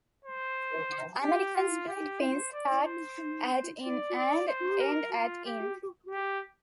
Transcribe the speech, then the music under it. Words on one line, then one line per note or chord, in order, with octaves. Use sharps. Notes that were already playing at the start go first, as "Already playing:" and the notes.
American split pins start at in and end at in.
C5
G4
F4
G4
C5
D5
C5
D5
D5
C5
A#4
F4
G4
G4